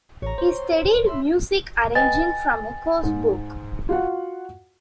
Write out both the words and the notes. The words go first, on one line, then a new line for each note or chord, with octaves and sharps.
He studied music arranging from a course book.
A1 C#5 A#5
C5
C6
E5 B5 C6
B4 D#5 G5 G#5 A6
G#2
F4 F#4 F#5